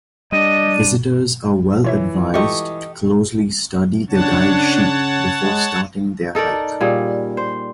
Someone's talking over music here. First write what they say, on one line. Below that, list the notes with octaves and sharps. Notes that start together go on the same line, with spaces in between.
Visitors are well advised to closely study the guide sheet before starting their hike.
G3 D4 D#5 D#7
E3 F4 C#5 E5
G3 G#3 F4 G4 A4 D#5 C#6
C#3 D4 C#5 F#5 A5
G#3
D#4 A4 A#4 D5
A#2 G3 G#4
C5